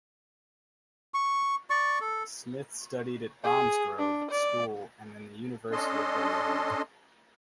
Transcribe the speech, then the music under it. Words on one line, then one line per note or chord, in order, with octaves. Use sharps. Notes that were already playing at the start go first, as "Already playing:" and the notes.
Smith studied at Bromsgrove School and then the University of Birmingham.
C#6
D5 C#6
A4
G#4
D4
D5
C#4 D4 A4 D#5 C6